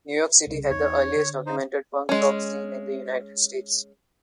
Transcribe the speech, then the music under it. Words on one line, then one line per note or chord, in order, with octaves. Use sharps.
New York City had the earliest documented punk rock scene in the United States.
C2 C#3
E2 D#4 C#5
D3
D#4 C5
G#3 C#4